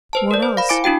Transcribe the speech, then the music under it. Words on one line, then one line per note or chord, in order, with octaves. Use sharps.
What else?
B4 C5 A5
A#4 D5
C5
F5 B5
E4 G#5 D6 D7
D4 E4 F#4 G5